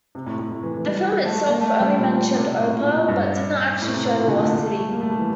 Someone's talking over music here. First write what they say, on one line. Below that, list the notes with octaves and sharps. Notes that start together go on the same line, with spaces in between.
The film itself only mentioned Opar but did not actually show the lost city.
C3
A2
A2
A2
E3
E3
G3
A3
A3
A#3
A3
G3
A#2
C3
C3
A2
A#2
A#2
A2
G2
A2
C3
A2
A#2
D3
A3
A#3
A3
A3
G3
A#3
A3
G3
E3